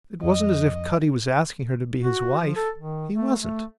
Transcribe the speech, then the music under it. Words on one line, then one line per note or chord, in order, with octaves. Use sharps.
It wasn't as if Cutty was asking her to be his wife; he wasn't.
F2 D#5
F#4
F3
A4
D#3
A3
A3